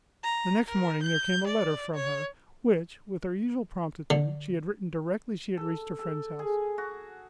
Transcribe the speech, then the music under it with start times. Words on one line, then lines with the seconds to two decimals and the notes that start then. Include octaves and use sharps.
The next morning there came a letter from her, which, with her usual promptitude, she had written directly she had reached her friend's house.
0.23 A#5
0.68 A#4
1.03 G6
1.47 D5
1.94 C#5
4.10 D3
5.57 A4
5.99 A4
6.39 G#4
6.78 F#4